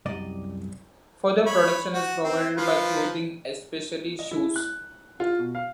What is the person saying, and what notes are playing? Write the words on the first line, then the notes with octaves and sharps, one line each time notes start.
Further protection is provided by clothing, especially shoes.
C2 F#2 D5 D#5
C#5 B5
F#4
C4
F3 F4 B4
D#5
E4
F#6
F4
B2
F5